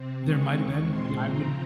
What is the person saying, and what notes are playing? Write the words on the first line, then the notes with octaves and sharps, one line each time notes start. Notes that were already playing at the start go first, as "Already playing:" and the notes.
There might've been, I wouldn't
Already playing: C3 C4
C#3 G#3 C4 C#6
D#2 D#3 G#3 C#6
A#2 G#3 C4 C6
C#3 F3 C4 A#5